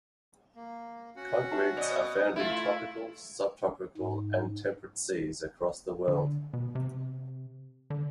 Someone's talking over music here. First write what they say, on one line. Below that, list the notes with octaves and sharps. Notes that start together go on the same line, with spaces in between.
Congrids are found in tropical, subtropical and temperate seas across the world.
A#3
C#4 F#4 F#5
E5 F5 A5
B2 D5 D#5
A3 E4 F4 E5
G#2
D3
B2
C3
D3